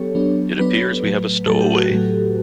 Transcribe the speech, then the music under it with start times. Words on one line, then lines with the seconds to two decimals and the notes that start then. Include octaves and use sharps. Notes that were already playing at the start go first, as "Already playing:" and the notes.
It appears we have a stowaway.
Already playing: F#3 B3 D4 G4 A4 C#5
0.15 F#3 B3 D4
0.59 F#3 B3 D4 B4
1.03 A2 F#3 A3
1.46 A2 F#3 A3 A4
1.61 G4
1.76 F#4
1.91 A2 F#3 A3